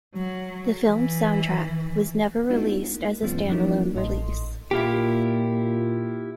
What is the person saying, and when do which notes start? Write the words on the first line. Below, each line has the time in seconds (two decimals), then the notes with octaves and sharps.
The film's soundtrack was never released as a stand-alone release.
0.15 F#3
0.85 E3
2.49 G#3 B3 D4 D#4 F4 F#4
2.94 A#3
3.22 F#2 E3 G#3 B3 C#4 F4
3.49 F3 F#3 A#3 C#4 D#4 E4
3.94 A1 A2 A4 D#5 C6
4.71 A#2 E4 F4 G4